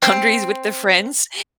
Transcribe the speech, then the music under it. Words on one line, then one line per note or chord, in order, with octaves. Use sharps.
boundaries with the friends.
C4